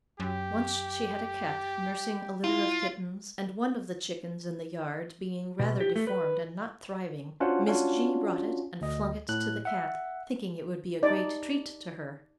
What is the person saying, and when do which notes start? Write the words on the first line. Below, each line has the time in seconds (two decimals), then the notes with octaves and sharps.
Once she had a cat nursing a litter of kittens, and one of the chickens in the yard being rather deformed and not thriving, Miss G. brought it and flung it to the cat, thinking it would be a great treat to her.
0.20 F#2 G4
2.44 E4 F4
5.59 B2
5.80 G4
5.96 A3
6.07 B4
7.40 C#4 D4 F4 F#4 C5 F#5
7.67 C#4 D4 F4 F#4
8.81 D2 D#5
9.29 A2 F#6
9.65 E5 F#5
11.03 D#4 D5